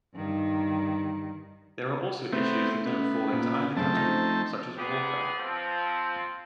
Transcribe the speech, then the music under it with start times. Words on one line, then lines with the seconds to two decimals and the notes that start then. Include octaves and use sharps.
There are also issues that don't fall into either category, such as warfare.
0.15 G2 D#3
2.33 A3 B3 C4
2.85 B3 C#4
3.33 A#2
3.76 F#2 C#3 A3 C4 A5
3.93 F3 D#4
4.76 G2 A#2 B3 G4 G#4
5.38 F3 C4